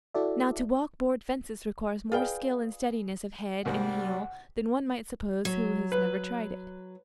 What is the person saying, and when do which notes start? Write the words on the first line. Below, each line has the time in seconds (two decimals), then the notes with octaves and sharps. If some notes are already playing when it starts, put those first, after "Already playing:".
Now, to "walk" board fences requires more skill and steadiness of head and heel than one might suppose who has never tried it.
0.14 E4 F#4 A4 D5 E5
2.12 F4 G#4 B4 D5 F5 G5
3.65 C2 G#2 G3 A#3 F#5
5.45 F#3
5.92 B4